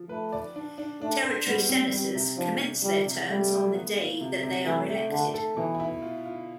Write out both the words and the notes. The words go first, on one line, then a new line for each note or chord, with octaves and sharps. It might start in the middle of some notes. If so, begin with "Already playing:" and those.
Territory senators commence their terms on the day that they are elected.
Already playing: F3
A3 B4
D5
D4
D4
A3 D4
C5
G3 B3
C4
G3 C4
C3
F3 D4
D4
F3 G3
C3
G3 A3
A3
B3
F4
C3
C3
E3 A3
A3
D3 A3
A4
B2 E3
E4
F4
F4